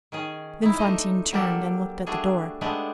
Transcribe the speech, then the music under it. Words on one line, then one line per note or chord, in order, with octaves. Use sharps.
Then Fantine turned and looked at the door.
D#3 C#4 G#4
D#4 E4
A3 D4 D#4 C5 D#5
F#3 G3 A#3 G4 A4 D5
G3 A3 D4 F#4 G#4
G#3 A3 B3 D4 G4 C5